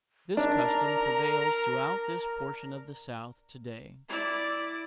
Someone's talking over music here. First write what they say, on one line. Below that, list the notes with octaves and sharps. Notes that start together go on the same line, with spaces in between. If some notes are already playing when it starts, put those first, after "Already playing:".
This custom prevails throughout this portion of the South to-day.
D4 A#4 A#5
E4 D5